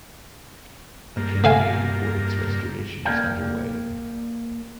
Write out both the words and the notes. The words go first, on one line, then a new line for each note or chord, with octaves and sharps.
A campaign for its restoration is underway.
G2 A#3
A3 F5 G#5
A#3 A#4 D5 F5 G5